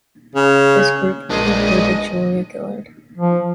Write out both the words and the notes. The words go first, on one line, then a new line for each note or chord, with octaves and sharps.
This group included Julia Gillard.
C#3
A#1 G#3 D4 D#5 F5
F3